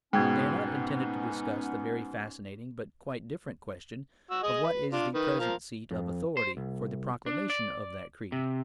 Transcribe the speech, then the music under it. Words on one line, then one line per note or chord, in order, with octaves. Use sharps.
They are not intended to discuss the very fascinating but quite different question of what is the present seat of authority for the proclamation of that creed.
G#2 B2 B3 C#4 D#4 G5 G#6
F#4 E6
G#4 D#5 G#5
B4
D4 F4
D#3 B4
F3 A#4 F5
F2
C5
C2
D4
D5
C3